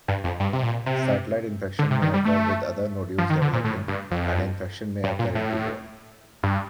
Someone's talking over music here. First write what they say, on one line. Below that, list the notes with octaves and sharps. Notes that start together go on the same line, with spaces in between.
Satellite infection may occur with other nodules developing and infection may occur into bone.
G2
F2
G2
C3
A#2
C3
D3
C3
D#3
G3
A3
F3
D#3
D3
A#2
A2
G2
F2
G2
A#2
A2
G2